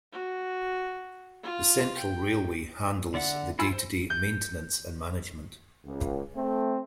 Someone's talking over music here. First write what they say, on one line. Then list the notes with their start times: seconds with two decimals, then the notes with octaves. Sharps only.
The Central Railway handles the day-to-day maintenance and management.
0.12 F#4
1.43 F4
1.98 G5
3.14 D3 D5 E5 F#5
3.59 E4 F4 G#5 E6
3.73 C5
4.10 G6
5.85 C#2
6.35 A3 C4